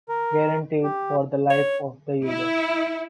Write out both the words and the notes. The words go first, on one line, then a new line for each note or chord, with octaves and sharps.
Guaranteed for the life of the user!
A#4
G4
C#5
E4